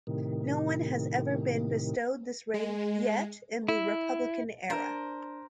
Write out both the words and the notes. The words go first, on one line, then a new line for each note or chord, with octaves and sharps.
No one has ever been bestowed this rank yet in the republican era.
A2 C3 D#3
G#3
E4
D4 A#4 C5